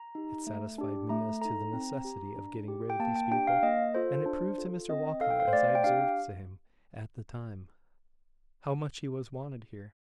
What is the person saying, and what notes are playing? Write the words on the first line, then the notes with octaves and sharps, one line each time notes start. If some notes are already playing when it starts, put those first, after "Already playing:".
It satisfied me as to the necessity of getting rid of these people; and it proved to Mr Walcot, as I observed to him at the time, how much he was wanted here.
Already playing: A#5
D#4 G4
A3
D4 G4
A3 A#5
D#4 A4 A#5
C4
G4
D4
G4
G5
A#3 A5
G5
D4 G4 G5
F5
A#3 D#5
F4 A4 C5
D4
F4 A4
C4 D#5
D#4 A4 F5
G5
F5
C5
A3 D5
G5
D4 G4 F5